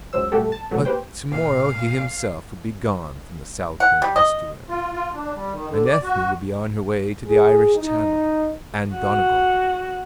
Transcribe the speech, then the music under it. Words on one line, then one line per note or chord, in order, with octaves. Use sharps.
But to-morrow he himself would be gone from the Salcombe estuary, and Ethne would be on her way to the Irish Channel and Donegal.
C#2 F#3 C5 E6
A#2 G3 A3 F#4 G4 A4
A5
A1 B2 F3 F#3 A3
A#3 G4 B4 C5 G5
A#2 F5
F#5
G3
D#5
F4
F4
D4
G3
D#3
D3
D5
F#4
G#4
D#4
F#4